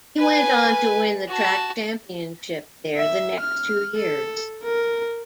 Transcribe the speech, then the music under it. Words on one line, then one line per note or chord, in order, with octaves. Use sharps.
He went on to win the track championship there the next two years.
B4 G#5
F#4 A5
E5
F6
A4
A#4